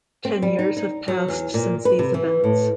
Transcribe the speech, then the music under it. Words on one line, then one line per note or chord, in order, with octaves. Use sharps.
Ten years have passed since these events.
C4
G3
D#4
D#4
F#3
E2
A#2
B4
C3
E3
A2